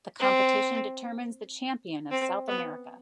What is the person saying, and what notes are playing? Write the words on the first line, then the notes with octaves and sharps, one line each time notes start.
The competition determines the champion of South America.
C4
C4
B3